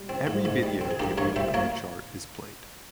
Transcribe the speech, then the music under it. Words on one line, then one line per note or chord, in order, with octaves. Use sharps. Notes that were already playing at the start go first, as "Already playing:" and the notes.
Every video debuting on the chart is played.
Already playing: G3
C4
G#2
G#2
G3
C4
G#4
G2 G4 A#4
G2 A#4 C#5
G3 C5 E5
A#3 A#4 C#5